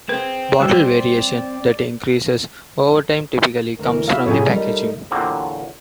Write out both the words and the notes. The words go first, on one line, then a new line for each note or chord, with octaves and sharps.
Bottle variation that increases over time typically comes from the packaging.
C4 G#4 B4
G3 F#4 D5
D2 E3 A#4
E4 F#4 E5 F5
A2 C3 F4 G#4 A4 C#5
G3 A3 D#4 A#4
E2 A#2 D3 F#3 G3 C4